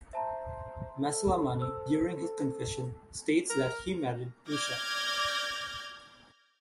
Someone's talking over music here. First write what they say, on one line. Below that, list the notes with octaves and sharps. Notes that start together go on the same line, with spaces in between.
Masilamani during his confession states that he married Usha.
C5 E5 A5 A#5
A4
C5 E6
A#4
D5 D6 F6 G6 G#6 A#6